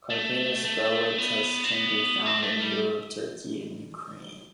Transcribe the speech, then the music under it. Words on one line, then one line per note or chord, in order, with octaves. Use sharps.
"Carpinus betulus" can be found in Europe, Turkey and Ukraine.
A3
A3
B3
C4
B3
C4
A3
G3